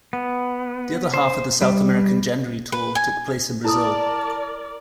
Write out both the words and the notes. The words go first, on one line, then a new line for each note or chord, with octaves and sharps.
The other half of the South American January tour took place in Brazil.
B3
C5
G3
B4
G#5
E4 A4 A#4 D5 A5 D#6